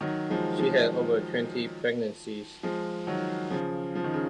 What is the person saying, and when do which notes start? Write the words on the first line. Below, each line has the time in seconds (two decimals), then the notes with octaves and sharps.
She had over twenty pregnancies.
0.01 D#3 F#3
0.30 F3 G#3
0.59 F3 G#3
2.63 F3 G#3
3.07 D#3 F#3
3.50 C#3 F3
3.95 F3
4.04 D#3
4.14 C#3